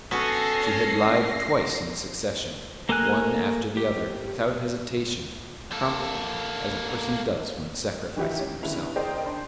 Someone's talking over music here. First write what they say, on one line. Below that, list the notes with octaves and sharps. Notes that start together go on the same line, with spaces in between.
She had lied twice in succession, one after the other, without hesitation, promptly, as a person does when sacrificing herself.
B3 C#4 F#4 A4 A#6 C7
A#3 A4 A#4 G#5 F#6
G4
A#3 A4
D#3 E3 F#4 G4 E5
C#4
G1 D#2 C#3 E4 B4 F7
G#4 A#4 C5 D5 D#5 G5
D4 C6